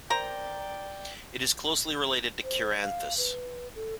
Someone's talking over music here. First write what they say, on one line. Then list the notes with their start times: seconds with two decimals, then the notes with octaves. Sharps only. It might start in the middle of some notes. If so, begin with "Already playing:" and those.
It is closely related to "Cheiranthus".
0.10 A#4 C5 D5 G5 A#5
2.44 C5
2.82 F5
3.18 B4
3.76 A4